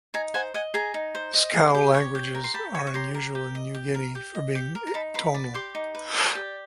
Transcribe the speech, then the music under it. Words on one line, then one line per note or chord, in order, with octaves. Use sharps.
Skou languages are unusual in New Guinea for being tonal.
D#4 G#5 A#5
C5 F#5 G#5
D#5 F#5 G#5
G#4 G#5 A#5
D#4
C5
D#5
G#4
G4
C#5
G4
A#4
C6
G4 A5 B5
C#5
C#6
G4 A#5 C6
A#4
G4
D#5
G4
A#4
G4
D#5
G4
A#4
A#5
D#4 A5 B5
B4 A#5 C6
D5
G4 C6 D6
D#4
B4
D5
G4